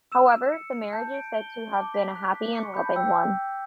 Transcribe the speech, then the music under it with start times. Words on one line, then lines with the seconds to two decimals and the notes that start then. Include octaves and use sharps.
However the marriage is said to have been a happy and loving one.
0.12 E6 E7
0.32 E7
0.52 C#7
0.73 C#7
0.93 A5 G6
1.14 D7
1.34 G7
1.54 G7
1.74 A5 D6
1.94 B6
2.15 F#6
2.35 B6
2.53 D6 C#7
2.63 C#6
2.75 B5 G6
2.85 A5
2.96 G5 E6